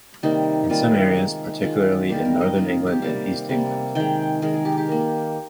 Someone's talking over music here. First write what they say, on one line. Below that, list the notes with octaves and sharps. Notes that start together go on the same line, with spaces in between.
In some areas, particularly in northern England and East England.
C3 D#3 G3 A#3 D#4
C3 D#3 G3 A#3 F4
D#3 G#3
D#3 G#3 F4
D#3 G3 A#3 G4
A#4
D#5
D#3 G3 A#3 F4
G4
C3 G3 A#3 F5
C3 G3 A#3
D#3 G#3 G5
D#3 G#3 A#4
G#4
G4
G4
D#3 A#3